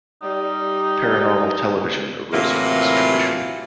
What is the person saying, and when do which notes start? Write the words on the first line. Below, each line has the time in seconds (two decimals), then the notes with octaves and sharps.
Paranormal television arose from this tradition.
0.22 G3 D#4
2.33 A2 C3 E3 F#3 A#3 F4